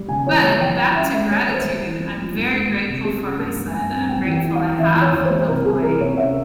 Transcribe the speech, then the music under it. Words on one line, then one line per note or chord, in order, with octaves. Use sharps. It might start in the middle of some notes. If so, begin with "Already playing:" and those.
But back to gratitude, I'm very grateful for my son, I'm grateful I have a boy.
Already playing: G3
C#3 G#5
E3 C#5
G3 C#5
F2 G5
E3 G5
C#4 E5
G#3 E5
G3 C#5
G3
C5
G3
E3
F3
F3
G2
G#3
G3
C3
G3 G#4
C#4
G2 A#4
G3
G2 G#5
C4
G3 G5
E2
G5
E3
F5
E3
E2 E5
E2
C#5
E2
C5
G3
C3 A#4
C3 G#4
E3 A#4
C3 C#5
C#4 E5